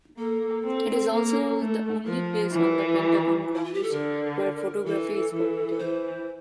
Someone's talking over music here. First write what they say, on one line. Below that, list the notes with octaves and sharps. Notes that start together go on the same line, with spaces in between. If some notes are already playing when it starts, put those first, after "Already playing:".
It is also the only place on the Pentagon grounds where photography is permitted.
A#3 A4
C4
A#3
A3
F3 A#4
E3
E4
F4
G4
A4
D3 A#4
E3 A4
E3
E3 C5